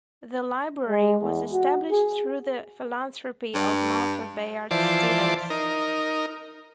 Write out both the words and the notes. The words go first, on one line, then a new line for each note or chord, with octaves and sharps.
The library was established through the philanthropy of Martha Bayard Stevens.
G#3
E2
F#4
G#4
G2
E3 F3 C5 D5 A5
D#4 A#4